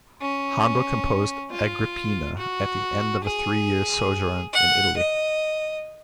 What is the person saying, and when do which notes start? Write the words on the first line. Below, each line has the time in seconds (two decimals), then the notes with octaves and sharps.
Handel composed "Agrippina" at the end of a three-year sojourn in Italy.
0.21 C#4
1.51 F4
2.38 F#4
3.24 G#4
4.53 F#5
4.97 D#5